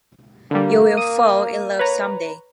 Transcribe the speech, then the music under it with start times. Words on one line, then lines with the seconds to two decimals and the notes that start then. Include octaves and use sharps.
You'll fall in love someday.
0.51 D3 G3 A#3
0.97 D#6 D#7
1.79 B4 C#5 A#5